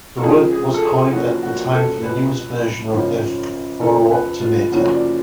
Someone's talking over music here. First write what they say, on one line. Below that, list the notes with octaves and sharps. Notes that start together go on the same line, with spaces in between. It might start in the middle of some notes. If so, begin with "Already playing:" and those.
The word was coined at that time for the newest version of their phoro-optometer.
A4
C#2 C#3 F3 G#4
G#4
A4
G#4
F#1 F#2 F3 F#4
F#4
A4
C#2 B2 B4
G#1 F#2 C#3 F3
F1 F2 C#3 F3 A4
B4
F4
F#1 F#2 C#3 F3 F#4
D5